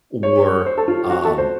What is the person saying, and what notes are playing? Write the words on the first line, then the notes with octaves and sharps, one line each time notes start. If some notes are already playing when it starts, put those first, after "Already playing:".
or, um,
C#5
C5
A4
F4
F#4
A4
C5